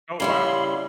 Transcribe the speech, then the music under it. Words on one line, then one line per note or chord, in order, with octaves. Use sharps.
Oh, wow.
C#3 G3 E4 F5 B5 C6